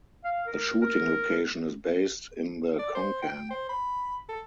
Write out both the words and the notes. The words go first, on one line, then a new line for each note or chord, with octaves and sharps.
The shooting location is based in the Konkan.
F5
A#4
A#4
D5
C5
G5
C5
B5
A4